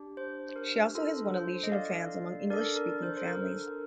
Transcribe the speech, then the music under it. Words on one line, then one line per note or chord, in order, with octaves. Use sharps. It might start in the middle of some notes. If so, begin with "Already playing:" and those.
She also has won a legion of fans among English-speaking families.
Already playing: D4 G4
C5
C5
A#4
D4 F4 A4 A#4
C5
D#5
D5 F5
D4 A4 A#4 D5
A#4
C5
C5
A#4